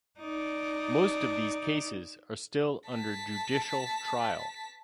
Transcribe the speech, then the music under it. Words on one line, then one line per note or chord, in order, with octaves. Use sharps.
Most of these cases are still under judicial trial.
D#4 D5
A5 B6